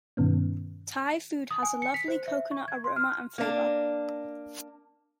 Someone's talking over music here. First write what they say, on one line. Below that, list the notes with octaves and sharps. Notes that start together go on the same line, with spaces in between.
Thai food has a lovely coconut aroma and flavour.
G2 B2 D#3 B3 C#4
D#6
G#5
C#7
B6
C5
E5
C#6
G#6
C6
F6
A#3 D4